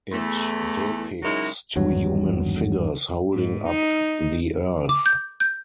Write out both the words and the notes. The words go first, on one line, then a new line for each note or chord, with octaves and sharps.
It depicts two human figures holding up the Earth.
E2 A3
C#3 F#3 G#3 D#4 E4 A#4
G#1 E2 G2 F#3
G#2
D#4
D6
G6
G6